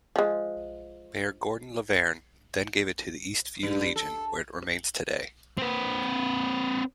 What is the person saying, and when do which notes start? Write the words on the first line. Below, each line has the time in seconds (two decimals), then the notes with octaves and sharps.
Mayor Gordon Lavergne then gave it to the Eastview Legion where it remains today.
0.16 F3 G#3
3.63 G2
3.96 A4
5.58 C4 B4